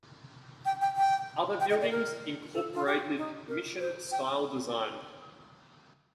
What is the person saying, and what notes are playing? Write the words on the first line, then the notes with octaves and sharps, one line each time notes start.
Other buildings incorporated Mission style design.
G5
G5
G5
G5
D#5
D5
A#4
A4
F4
G4
D#4
A#4
C5
G5